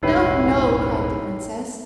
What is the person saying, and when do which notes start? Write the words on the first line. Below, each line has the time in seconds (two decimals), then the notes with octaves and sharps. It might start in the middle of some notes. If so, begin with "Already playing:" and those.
"No, no," cried the princess.
0.03 E1 A1 D#4 E4 G4 B4 C#5 C7